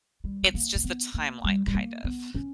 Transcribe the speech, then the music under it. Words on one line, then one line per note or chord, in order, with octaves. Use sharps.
it's just the timeline kind of.
G3
B3
A#3
C#4
B3
A#3
G3
G3
A#3
B3
C#4